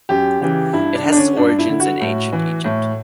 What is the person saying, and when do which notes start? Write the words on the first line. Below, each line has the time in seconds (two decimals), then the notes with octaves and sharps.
It has its origins in ancient Egypt.
0.09 F#2 G4
0.41 C#3 E3 G4
0.73 G2 E4
0.95 D4
1.05 D3
1.12 D4
1.16 C#4
1.37 G2 D4
1.59 E4
1.69 D3
1.80 F#4
2.01 A2
2.32 E3
2.65 A2